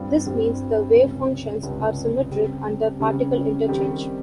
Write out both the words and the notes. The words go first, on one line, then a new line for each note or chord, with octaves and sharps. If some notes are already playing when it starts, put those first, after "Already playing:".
This means the wave functions are symmetric under particle interchange.
Already playing: G2 G3 C4 F4
G2 G3 C4 F4
C#2 C3 G3 C#4
C#2 C3 G3 C#4
C#3 G3 C4
C#3 G3 C4
D#3 G3 C4 G4